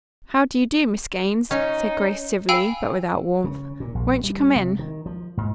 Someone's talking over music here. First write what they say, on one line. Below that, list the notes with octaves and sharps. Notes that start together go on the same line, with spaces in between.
"How do you do, Miss Gaines," said Grace civilly, but without warmth. "Won't you come in?"
C#4 D#4
F5 G5 G#5 B5 E6 F7
C#3
A#2
A#1
G3
C3
D#3
F3
G#2